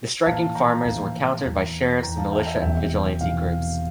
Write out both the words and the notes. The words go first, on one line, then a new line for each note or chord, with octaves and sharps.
The striking farmers were countered by sheriffs, militia, and vigilante groups.
A#5
A#1 A2 E3 F5 A5
G5 A#5
A#1 A2 E3
E2 E3
E2 E3 G5 A#5
F5 A5
E5 G5
E5 G5
E1 E2 C3 F3 E5 G5
E5
E1 E2 C3 F3 F5